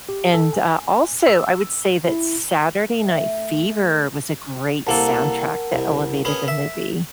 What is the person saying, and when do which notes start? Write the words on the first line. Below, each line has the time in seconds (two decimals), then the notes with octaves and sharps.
and, uh, also, I would say that Saturday Night Fever was a great soundtrack that elevated the movie.
0.09 G4
0.34 A4
0.53 G#5
1.28 E6
2.08 E4
3.03 A3
4.87 C2 A#3 A4 A#4 F#5 A5
5.72 C2
6.25 B3 C#4 G#4
6.48 E5